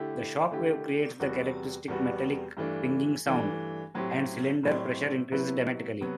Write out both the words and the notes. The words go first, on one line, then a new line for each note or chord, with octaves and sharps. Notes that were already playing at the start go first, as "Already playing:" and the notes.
The shock wave creates the characteristic metallic "pinging" sound, and cylinder pressure increases dramatically.
Already playing: D3 A3 E4 G4
D3 A3 E4 G4
E2 C3 G3 B3 F#4
E2 C3 G3 B3 F#4
G2 E3 A3 D4
G2 E3 A3 D4
A2 F#3 C4 G4
A2 F#3 C4 G4
C3 F#3 B3 E4 B4
C3 F#3 B3